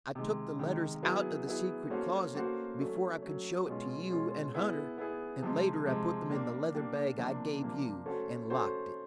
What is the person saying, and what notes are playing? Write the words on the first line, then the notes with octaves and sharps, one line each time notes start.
I took the letters out of the secret closet, before I could show it to you and Hunter, and later I put them in the leather bag I gave you, and locked it.
C3 D#3 G#3
C3 D#3 G#3
F#3 B3 E4 G#4
F#3 B3 E4 G#4
A#3 C#4 F#4 A4 C5
A#3 C#4 F#4 A4 C5
F#3 A3 C#4
F#3 A3 C#4
B2 G#3 C#4 F4
B2 G#3 C#4 F4
B3 E4 G#4
B3 E4 G#4
C3 F3 G#3
C3 F3 G#3
A#3 D4 G4
A#3 D4 G4
C3 F3 A#3 D4
C3 F3 A#3 D4
A3 C#4 F#4 A4 C5
A3 C#4 F#4 A4 C5